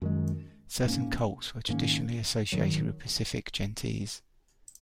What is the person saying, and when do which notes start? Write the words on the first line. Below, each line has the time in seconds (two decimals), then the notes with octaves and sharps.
Certain cults were traditionally associated with specific gentes.
0.02 F#2 D#3 G#3
0.85 G#2 F#3 A#3 C#4
1.69 G#2 D#3 A#3 C#4
2.52 G#2 D#3 F#3